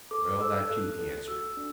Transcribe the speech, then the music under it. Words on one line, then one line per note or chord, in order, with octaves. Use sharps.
Well, that too he answered.
A4 D6
A4 E6
A4 F#6
A4
F#4 E6
D4